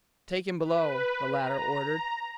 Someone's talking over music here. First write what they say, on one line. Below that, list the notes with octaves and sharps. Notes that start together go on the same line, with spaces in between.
"Take him below!" the latter ordered.
B4
A#5